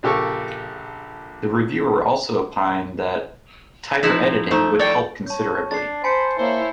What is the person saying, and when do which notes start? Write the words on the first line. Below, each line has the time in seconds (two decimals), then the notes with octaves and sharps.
The reviewer also opined that "Tighter editing would help considerably".
0.03 A#1 C#3 G4 A4 A#4 C#6
4.03 F3 D#4 E4
4.51 A3 D#4 C5
4.79 C#5 D5 G5
5.26 C#5 A5 G6
5.71 D4 A6 C7
6.04 C5 G#5 A5 B5 C#7
6.39 A#3 E4 C5 C#5